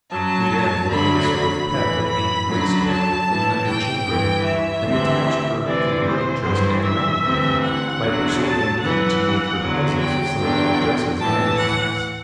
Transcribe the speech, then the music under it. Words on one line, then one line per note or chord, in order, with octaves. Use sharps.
Madame had made a sort of pet of Anne Wixted, an underchambermaid, and attached her to her interest economically by persuading me to make her presents of some old dresses and other things.
F#2 F#3 A5
D2 D3 F#3 B5
A2 E3 B5
B5
F#2 D3 F#3
A5
A2 E3
G5
G2 E3
E5
D2 C3 E3
D2 C3 E3 D5
C5
G2 E3 C5
E5
D2 C3 E3
F#5
E2 D3 F#3
A5
F#2 E3 F#5
E2 D3 F#3
G5
E2 D3 F#3
A2 E3 A5
F#5